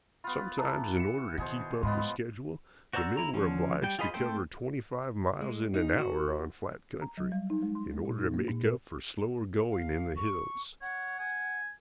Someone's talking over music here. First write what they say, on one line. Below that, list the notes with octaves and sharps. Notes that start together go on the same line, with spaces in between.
Sometimes in order to keep up the schedule the men were obliged to cover twenty-five miles in an hour on flat country, in order to make up for slower going in the hills.
B3 F4 B5
E3 A5 A#5
C#7 E7
B2 D#3 G#4 C5
G#2 F3 B3 D#5 B5 C6
F#4 C5 D5 A#5 E6
E4 A#5
D3 F3 C#4
G3 G5
F4 G#4 C5 D#5 B5
A3 C4 A4 C5 G5
G#3
D#4
F#4
A#5
F#3
G3
D#4
G#3
C6
G#3
A#2
D#4
A#3
A#2
A#4
F5
C#6
C#5 F#5
G#5